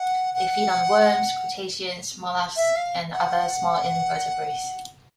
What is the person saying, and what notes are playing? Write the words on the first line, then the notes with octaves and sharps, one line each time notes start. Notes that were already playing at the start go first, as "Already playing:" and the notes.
They feed on worms, crustaceans, molluscs and other small invertebrates.
Already playing: F#5
F#5
E5
F5
F#5